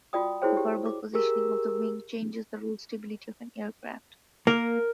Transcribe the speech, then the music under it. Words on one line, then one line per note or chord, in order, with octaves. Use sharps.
The vertical positioning of the wing changes the roll stability of an aircraft.
F4 F#4 D5 G5 D#6
E4 F#4 G#4 C5 C#5 G5
G4
D6
G4 G#4 A#4 E6
A#3 A#4